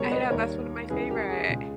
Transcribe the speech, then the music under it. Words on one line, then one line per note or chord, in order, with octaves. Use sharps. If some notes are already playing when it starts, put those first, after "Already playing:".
I know, that's one of my favorite.
Already playing: C#2 B2 G3 G#4 A#4 C#5
B4 D#5
D#2 D#3 G3 A#4 C#5
C#2 C#3 E3 G#4 B4
G4 A#4
G#4
C#2 C#3 G#3